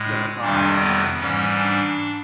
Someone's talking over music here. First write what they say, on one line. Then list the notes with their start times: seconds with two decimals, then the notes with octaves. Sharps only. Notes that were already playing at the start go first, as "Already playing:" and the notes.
Yeah, pry, that makes sense.
Already playing: A2 G#3
0.41 F2 C3 D#3 G3 D4
0.79 B3
1.18 G#2 E3 G3 C#4
1.57 D4